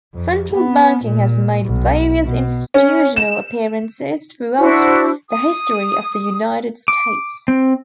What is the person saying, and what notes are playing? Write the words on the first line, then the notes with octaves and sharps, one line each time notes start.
Central banking has made various institutional appearances throughout the history of the United States.
F2
B3
A#2
B1
B2
C#4
E7
D4 E4 F#4 C5
D#6
D6
C4